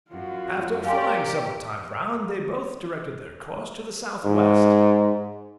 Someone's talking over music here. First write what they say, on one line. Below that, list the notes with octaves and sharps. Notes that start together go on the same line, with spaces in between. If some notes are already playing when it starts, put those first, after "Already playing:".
After flying several times round, they both directed their course to the south-west.
F#2 F4 F#4
G4 A#4 D5 F5 G#5 C6
G#2